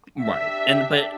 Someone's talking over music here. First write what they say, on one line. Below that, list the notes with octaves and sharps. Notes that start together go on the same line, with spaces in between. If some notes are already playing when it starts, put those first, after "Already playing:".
M right. And but,
D4 G4 E5